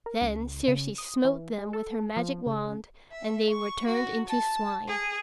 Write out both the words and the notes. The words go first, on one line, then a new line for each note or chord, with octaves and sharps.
Then Circe smote them with her magic wand and they were turned into swine.
A#4
C#2
C#3
D#6
E3
G#3
A4
F3
C#3
E5
C#6
F#4
A5
G#4